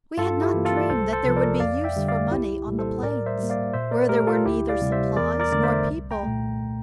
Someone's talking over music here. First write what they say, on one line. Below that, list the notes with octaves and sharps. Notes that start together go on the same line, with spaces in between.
We had not dreamed that there would be use for money on the Plains, where there were neither supplies nor people.
G2 F4 A4
E4 G4
E3 A#3
F4 A4
D5
C2 A4 C5
A4 C5
C3 F3
A#4 D5
F2 D5 F5
E5 G5
D3 G3
D5 F5
C2 E4 G4
A#2 G3 A#3
A4 C5
A2 A#4 D5
C5 E5
G3 A#3
D5 F5
A#2 C5 E5
A#4 D5
A3 G4 A#4
F4 A4
D2 E4 G4
D5 F5
C3 G3
C5 E5
E2 A#4 D5
A#4 D5
D3 A3 D5
C5 E5
C2
G5 A#5
A#2 A3